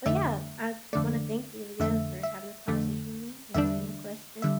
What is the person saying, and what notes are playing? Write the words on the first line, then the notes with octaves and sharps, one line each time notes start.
but yeah, I wanna thank you again for having this conversation with me, answering the question.
F2 D3 A3 E5
F2 D3 A3 D5
F2 D3 A3 E5
E5
F2 D3 A3
E2 D3 G3 D4 E5
D3 G3 E5